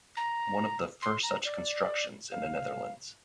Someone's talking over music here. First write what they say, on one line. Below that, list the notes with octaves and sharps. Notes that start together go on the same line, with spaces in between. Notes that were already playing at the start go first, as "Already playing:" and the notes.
One of the first such constructions in the Netherlands.
A#5
C6
A#5
D5
F5